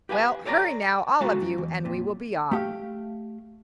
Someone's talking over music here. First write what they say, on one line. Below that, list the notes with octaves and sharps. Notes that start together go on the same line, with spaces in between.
"Well, hurry now, all of you--and we will be off."
G4 B4 F5 G#5
A4 C#5 D5 G#5 A#5
G#3 B3 F#4 A4 F5 A#5
F#2
E2
F2 A#2
A3 G4 F5